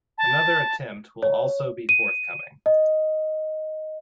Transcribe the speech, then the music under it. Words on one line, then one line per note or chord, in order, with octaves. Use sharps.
Another attempt will also be forthcoming.
A5
C#5
D#7
D#5